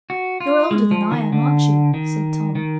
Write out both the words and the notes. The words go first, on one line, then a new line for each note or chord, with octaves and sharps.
"You're older than I am, aren't you?" said Tom.
F#4
F4
G#3
F3
D#3
D3
D#3
D#3